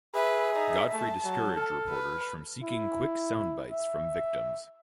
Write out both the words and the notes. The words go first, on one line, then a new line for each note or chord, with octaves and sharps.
Godfrey discouraged reporters from seeking quick sound bites from victims.
G#4 B4 E5
D#4
A3 A5
F#3
A4 F6
B4
E4
E5